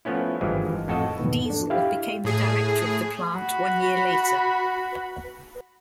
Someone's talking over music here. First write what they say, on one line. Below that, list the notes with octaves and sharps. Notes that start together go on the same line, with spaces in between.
Diesel became the director of the plant one year later.
F3 A3 B3 C#4 E4
G#1 G2 E3 F3 G#3
F2 A2 F#4 A4 D#5 A5
E2 G#2 B2 D#3 A#3 B3
D4 A4
E4 G4 F5
A2 G#4
F#4 B5